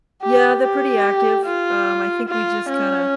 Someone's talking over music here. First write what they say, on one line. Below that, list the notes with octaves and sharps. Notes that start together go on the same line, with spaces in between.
Yeah, they're pretty active. Um, I think, we just kinda
G4
G4
F4
F4
C#4